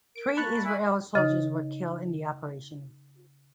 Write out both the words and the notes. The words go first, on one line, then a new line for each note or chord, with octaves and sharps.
Three Israeli soldiers were killed in the operation.
A#4 D7
A#3 A5 B5 C#6 F#6
E4 E5 G#5 E6
C#3 D#4 D#5